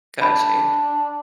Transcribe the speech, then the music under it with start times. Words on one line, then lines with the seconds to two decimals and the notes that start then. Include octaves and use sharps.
Got you.
0.21 D4 B5